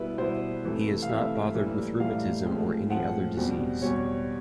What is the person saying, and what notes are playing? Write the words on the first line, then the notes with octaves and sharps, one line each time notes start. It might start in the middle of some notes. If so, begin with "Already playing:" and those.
He is not bothered with rheumatism or any other disease.
Already playing: B2 G3 B3 E4 B4
B2 G3 B3 E4 C5
C3 E3 A3
F5
C3 E3 A3 E5
A2 E3 G3 A#3
A2 E3 G3 A#3 F5
A2 F3 G#3 C4
A2 F3 G#3 C4 F#5
E2 B2 G3 C4
E2 B2 G3 C4 C#5